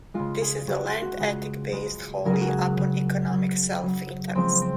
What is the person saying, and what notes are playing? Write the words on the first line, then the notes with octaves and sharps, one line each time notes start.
This is a land ethic based wholly upon economic self-interest.
C#3 G#3 F4
G#4
G#4
C#3 G#3 F#4
F4
F#4
C#3 G#3
C#3 G#3
C#3 F#3 A#4
G#4
F#4
G#4
C#3 F#3
C#3 F#3
C#3 F#3
C#3 F3 G#3 C4
C4